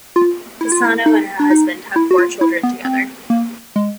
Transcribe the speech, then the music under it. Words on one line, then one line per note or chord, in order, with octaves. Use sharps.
Pisano and her husband have four children together.
F4
E4
F4
E4
D#4
D4
D#4
E4
F#4
F4
E4
B3
C4
A#3
G#3